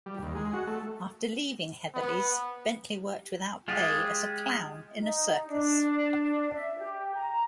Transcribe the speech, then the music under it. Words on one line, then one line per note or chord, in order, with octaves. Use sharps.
After leaving Heatherley's, Bentley worked without pay as a clown in a circus.
G3
D#2
G#3
F#4
A3
B3
G#3 F4 G4 G#4
D#4
D4
E5
G4
A#5